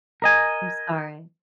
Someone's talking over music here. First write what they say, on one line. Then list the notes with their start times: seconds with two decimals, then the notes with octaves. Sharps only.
I'm sorry.
0.22 A#4 D#5 G#5